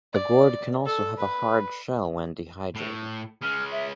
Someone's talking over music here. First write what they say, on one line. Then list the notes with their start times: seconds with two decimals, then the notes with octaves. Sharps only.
A gourd can also have a hard shell when dehydrated.
0.13 D5
0.86 A4
1.18 B4
2.75 A2
3.42 G#3 C#4 F6
3.72 E5